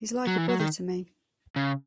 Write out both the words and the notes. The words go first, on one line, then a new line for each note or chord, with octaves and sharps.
He's like a brother to me.
F#3
E3
F#3
D#3
C#3